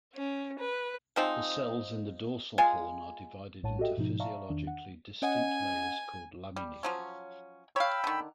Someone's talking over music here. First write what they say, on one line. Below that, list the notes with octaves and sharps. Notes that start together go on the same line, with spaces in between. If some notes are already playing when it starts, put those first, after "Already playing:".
The cells in the dorsal horn are divided into physiologically distinct layers called laminae.
C#4
B4
F3 G#3 C4 D#4
G#3 F4 G#5
A#1 A2 C#5 F#5 A5 D#7
F#4 G4 A4 D#5 E5 G5
G#2 B2 F3 D#4
D5 E5 F5 A5 A#5 C#6
E2 D#3 D4
F#5
C#4 D#5 F#5 G#5
G3
F3 F#3 C#4
C#5 F5 G5 B5 E6
D3 D#3